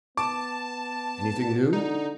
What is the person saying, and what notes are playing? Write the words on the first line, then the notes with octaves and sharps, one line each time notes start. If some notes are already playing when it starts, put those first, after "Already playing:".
"Anything new?"
B3 A5 D6
D3 D#4